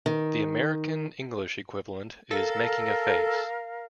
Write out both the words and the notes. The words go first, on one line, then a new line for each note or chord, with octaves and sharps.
The American English equivalent is "making a face".
D#3
A4 A#4 F5